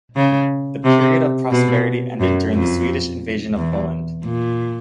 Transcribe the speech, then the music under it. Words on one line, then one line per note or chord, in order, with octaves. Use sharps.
The period of prosperity ended during the Swedish invasion of Poland.
C#3
C3
B2
F#2
F2
E2
A#2